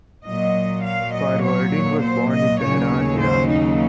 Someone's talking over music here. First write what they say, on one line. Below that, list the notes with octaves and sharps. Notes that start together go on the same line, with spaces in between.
Farvardin was born in Tehran, Iran.
A#2 F#3 D#5
F5
D#5
C#5
C5
D#5
D#2 C#3 F#3 C#5
C5
D#4